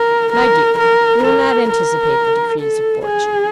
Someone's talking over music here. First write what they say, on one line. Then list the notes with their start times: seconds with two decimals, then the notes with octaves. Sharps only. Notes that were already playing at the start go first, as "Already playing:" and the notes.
'My dear, we will not anticipate the decrees of fortune.
Already playing: A#4
0.33 A#4
0.78 A#4
1.24 A#4
1.69 A#4
2.60 A4
3.06 G#4